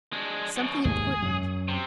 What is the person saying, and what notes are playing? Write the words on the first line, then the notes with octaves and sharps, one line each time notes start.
"Something important."
G#3 D4
F#2 B2
D#2 G#2 C3 G#4
F#2 F#3
C3